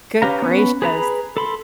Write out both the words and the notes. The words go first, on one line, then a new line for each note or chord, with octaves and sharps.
Good gracious.
C#4 G4 B4 F5 A#5
B3 C#4 B4
G#4 B4 A#5 B5
A4 B5 C6